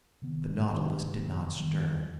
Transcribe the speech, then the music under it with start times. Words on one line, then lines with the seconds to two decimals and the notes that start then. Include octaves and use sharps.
The Nautilus did not stir.
0.22 C3 D#3 B3
0.67 C3 D#3 B3
1.14 C3 D#3 B3
1.60 D#3 G3 B3